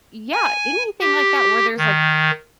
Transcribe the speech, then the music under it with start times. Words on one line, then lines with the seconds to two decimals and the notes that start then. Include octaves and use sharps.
yeah, anything like that where there's like,
0.32 G#5
1.01 G4
1.77 D#3